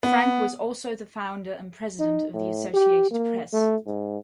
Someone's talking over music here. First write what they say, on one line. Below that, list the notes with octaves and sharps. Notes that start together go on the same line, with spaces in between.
Frank was also the founder and president of the Associated Press.
B3
D#4
A2
G4
A#3
A3
G#2